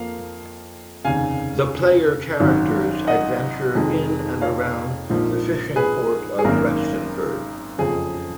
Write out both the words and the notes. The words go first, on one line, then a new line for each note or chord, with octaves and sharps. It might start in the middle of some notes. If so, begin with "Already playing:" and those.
The player characters adventure in and around the fishing port of Restenford.
Already playing: F2 F3 A#3 F5
F1 D#2 C#3 F5 G#5
G#1 F#2 D#3 F#3
D#5 F#5
F1 F2 D#3 G#3
C#5 F5
A#1 G#2 F3 A#3
G#4 B4
G#4
G#1 F#2 D#3 A#3 A#4
F#1 F2 C#3 F3 G#4